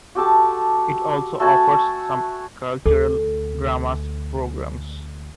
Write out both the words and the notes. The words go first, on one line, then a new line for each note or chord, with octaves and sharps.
It also offers some cultural dramas programmes.
F#4 G4 A4 A5
A3 F#4 G#5 A5
F#4
D2 A4